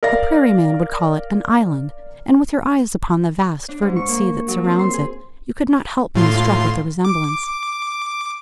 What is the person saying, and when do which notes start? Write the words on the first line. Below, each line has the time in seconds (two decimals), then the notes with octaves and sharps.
A prairie-man would call it an "island," and with your eyes upon the vast verdant sea that surrounds it, you could not help being struck with the resemblance.
0.03 A#4 D5 F5 A#6
3.68 D4
3.82 G#2
3.96 C#6
4.09 A#3
4.48 F#3
4.64 C4
4.79 C6
4.93 G#4
6.15 A2 F4 C6
7.05 D6